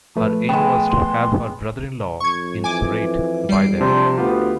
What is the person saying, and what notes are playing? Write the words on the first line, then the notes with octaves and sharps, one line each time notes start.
Her aim was to have her brother-in-law in Suratte buy them.
F3 A3 B4
G#3 B3 G5
C6
F2 C#6 G#6
E3 G#5 D6
E1 G3 C7 D7
C3 F3 D4 C5
D2 B3 F4 G4